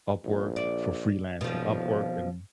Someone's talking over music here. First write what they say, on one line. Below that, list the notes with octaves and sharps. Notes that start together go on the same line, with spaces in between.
Upwork for freelancing Upwork and
A#1
D5
D#1 B2 F3